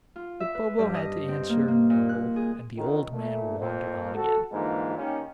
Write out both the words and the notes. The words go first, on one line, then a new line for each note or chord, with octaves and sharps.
But Bobo had to answer "No," and the old man wandered on again.
F4
E5
B4
G2
D#5
C4
A#3
A#3
A#2
F#6
G#4
C#2 D#3
A#2 A3
F2 A#2
F#4 A4
G#2 D3 E3 F3 G#3 A#3
D#3 A#3 C#4 G4